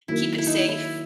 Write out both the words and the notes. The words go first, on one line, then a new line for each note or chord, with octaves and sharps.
keep it safe.
D#3 F#3 A#3 E4
E4
D#4
E4
E4